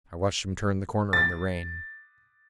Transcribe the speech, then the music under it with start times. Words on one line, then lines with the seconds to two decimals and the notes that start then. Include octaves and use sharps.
I watched him turn the corner in the rain.
1.13 A6